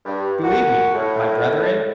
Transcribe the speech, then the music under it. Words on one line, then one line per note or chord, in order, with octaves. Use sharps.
Believe me, my brethren!
G2
A#2 F#4
A2